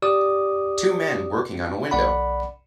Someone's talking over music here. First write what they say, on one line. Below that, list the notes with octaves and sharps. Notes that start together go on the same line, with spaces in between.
Two men working on a window.
G4 D5 D6 D#6
B1 D5 F#5 B5